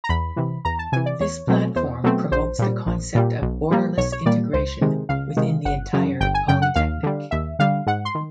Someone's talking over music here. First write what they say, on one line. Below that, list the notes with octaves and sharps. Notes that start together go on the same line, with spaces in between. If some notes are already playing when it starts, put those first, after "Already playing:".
This platform promotes the concept of borderless integration within the entire Polytechnic.
A#5
E2 B5
C3 E3
E2 A#5
A5
C3 E3 G#5
D5
E2 C#5
B2 F#3 A3 C4
E2 C5
B2 F#3 A3 C4
A#1 C5
A#2 G3
A#1
A#2 G3
B1
A#2 G3 A#3
B1 C#5
C#5
A#2 G3 A#3 D5
C#2 C5
C3 D#3 G#3
C#2 F5
C3 D#3 G#3
G1 F#5
F#2 C#3
G1 G5
G#5
F#2 C#3 G5
F#5
D#2 F5
D3 G3
D#2 E5
D3 G3 F5
G#2 F#5
C6
D#3